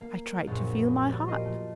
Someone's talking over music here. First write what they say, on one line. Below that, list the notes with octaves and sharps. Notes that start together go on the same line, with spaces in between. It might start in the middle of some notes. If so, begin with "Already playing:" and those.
I tried to feel my heart.
A#3
A#1 F#2 A#2
G3
F4 A#4 D#5
F3 A3